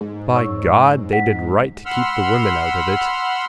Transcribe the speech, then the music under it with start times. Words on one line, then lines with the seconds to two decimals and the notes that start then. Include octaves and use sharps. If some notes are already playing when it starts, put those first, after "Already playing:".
By God they did right to keep the women out of it.
0.01 G#2
0.36 C#5 C#6 E6
1.13 F#5 B6
1.86 F#5 B5 C6 E6 F6